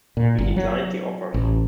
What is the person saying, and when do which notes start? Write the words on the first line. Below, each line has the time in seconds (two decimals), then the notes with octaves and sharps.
He declined the offers.
0.17 A#2
0.38 G1
0.56 F#3
1.34 A1